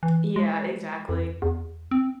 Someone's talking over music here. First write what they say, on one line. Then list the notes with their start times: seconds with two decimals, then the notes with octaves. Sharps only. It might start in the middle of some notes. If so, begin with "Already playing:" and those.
Yeah, exactly,
0.03 E3
0.36 G#3
1.09 F2
1.42 E2
1.91 C4